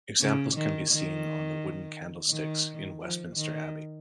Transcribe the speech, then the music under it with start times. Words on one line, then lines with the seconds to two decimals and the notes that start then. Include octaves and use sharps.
Examples can be seen on the wooden candlesticks in Westminster Abbey.
0.21 C#3
0.56 D#3
0.91 D#3
2.30 D#3
3.01 F3
3.36 D#3